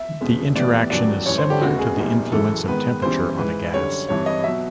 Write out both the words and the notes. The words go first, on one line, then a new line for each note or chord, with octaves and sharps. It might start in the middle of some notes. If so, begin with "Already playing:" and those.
The interaction is similar to the influence of temperature on a gas.
Already playing: E5
F1 E2 B2 G#3 C#4
A2 E3 G3 B3 D5
A1 G2 D#3 F#3 D5
A1 G2 E3 C#5
C5
G4
E1 D2 C#3 F#4
G#4
A#1 A#2 G3 B3 D#4
F#1 F#2 C#3 E3 G#3 A4
G#2 D#3 G#3 B3 B4
E2 C#3 E3 G3 B3 C5
G#2 E3 G#3 B4
F#2 D3 G3 C#5
G#1 G2 E3 C#5
D#5
B2 F#3 E5